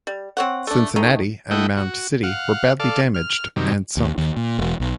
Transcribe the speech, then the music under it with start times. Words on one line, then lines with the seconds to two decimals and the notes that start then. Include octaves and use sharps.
"Cincinnati" and "Mound City" were badly damaged and sunk.
0.07 G3
0.37 C4 C#5 F#5
0.67 A3 D4
0.96 D#3 A3 D#4
1.51 A3 E4 D#5 F#5 G5
1.77 F#4
2.23 F5 F#5
2.80 A4 D5 F5
3.14 F6
3.56 F#2 C3 D#3 G3
3.97 D#2
4.18 D#2
4.37 A#2
4.59 E1
4.80 B1